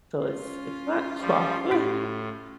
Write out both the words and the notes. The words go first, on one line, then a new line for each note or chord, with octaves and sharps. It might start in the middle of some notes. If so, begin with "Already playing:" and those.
So it's it's not clawfoot
C#4 F4
F3 G3
A2 E4 G4